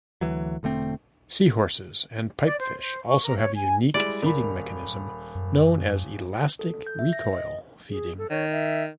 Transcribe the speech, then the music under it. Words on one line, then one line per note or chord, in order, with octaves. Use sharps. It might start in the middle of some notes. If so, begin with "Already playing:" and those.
Seahorses and pipefish also have a unique feeding mechanism, known as elastic recoil feeding.
D2 E3 F#3
E1 D3 A3 C4
D5
C5
C5
C#6
A#4
C#5
G#5
G3 G#3 E4 D5
D#1 A#4 B5
F#2
A4
G6
E5
A#6
D#5
G#4
A4
D#3 C#5
E5